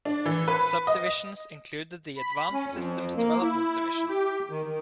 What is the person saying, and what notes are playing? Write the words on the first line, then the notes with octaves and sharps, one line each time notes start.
Subdivisions included the Advanced Systems Development Division.
D4
E3
B4
D#5
B5
C#4
F2
A#3
E4
G4
D#3
D#3